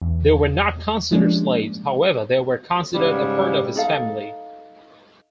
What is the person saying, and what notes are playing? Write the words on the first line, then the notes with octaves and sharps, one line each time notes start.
They were not considered slaves; however, they were considered a part of his family.
E2
F3 G3 G#3 A#3 C#4 D4
G#2 C#3 G3
D#4 A4 F5